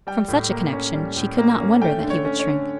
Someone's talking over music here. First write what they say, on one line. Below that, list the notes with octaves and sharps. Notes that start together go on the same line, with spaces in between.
From such a connection she could not wonder that he would shrink.
G3 G5
A2
A#3
C#4
G3
A2
A#3
C#4
A3 G5
D3
C#5
C#4
C#5
D3